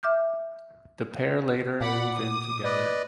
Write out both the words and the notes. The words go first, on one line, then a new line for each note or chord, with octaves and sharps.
The pair later move in together.
E5 D6 F6 G6
A#2 D5 F#5 B5 D6
D#6
B4 D5 D#5